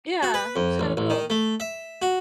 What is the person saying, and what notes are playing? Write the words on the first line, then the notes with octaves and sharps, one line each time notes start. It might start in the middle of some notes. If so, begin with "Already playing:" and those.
Yeah, that's kind of cool.
F#4
B4
F2
A1
A1
D#3
A3
E5
F#4